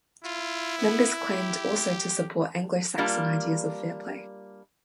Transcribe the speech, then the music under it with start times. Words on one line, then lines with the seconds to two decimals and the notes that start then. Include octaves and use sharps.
Members claimed also to support Anglo-Saxon ideas of fair play.
0.24 E4 F4
0.78 B3
1.29 G4
2.98 G3 A#3 D4 F4